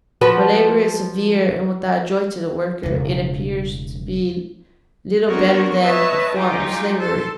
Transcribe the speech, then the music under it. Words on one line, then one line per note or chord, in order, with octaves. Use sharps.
Where labor is severe and without joy to the worker, it appears to be little better than a form of slavery.
F3 F#4 B4
E1 C#3
B3 C4 D4 F#4 A#4 C#5
B4 C#5 D#5 E5 A5
F#3 G3 D#4 F4 G4 G#4
A4 C6